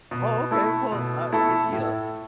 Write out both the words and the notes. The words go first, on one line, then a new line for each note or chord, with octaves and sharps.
oh, okay, well, uh, y you know, eh
B2
A3 E4 A4
B2
A3 E4 A4
A2